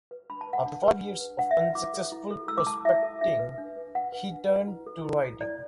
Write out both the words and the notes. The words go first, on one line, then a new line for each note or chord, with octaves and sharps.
After five years of unsuccessful prospecting, he turned to writing.
B4
D4 B5
A5
B4
F#5
D4
B4
D4
B4
D4 F#5
E5
B4
E4 D6
A4
E4
A4
E4 E6
D6
A4 A5
E4 E5
A4
D4 E5
B4
D4
B4
D4 F#5
B4
D4
B4
E4
A4
E4
A4
E4 D5